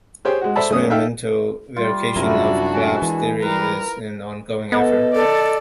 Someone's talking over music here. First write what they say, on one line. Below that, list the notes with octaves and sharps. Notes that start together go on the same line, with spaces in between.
Experimental verification of collapse theories is an ongoing effort.
G4 G#4 C5 C#5 G5
G#3 F#4
A4 C5 D5 E5 A5 B5
B1 A3 C#4 D#6
D#4 A4 E5 F5 G5
G3 F4
F#2 C3 D4 E4 F#4 A#4
G#3
E3
G3 A#4 B4
B3 A4 D#5
A4 D5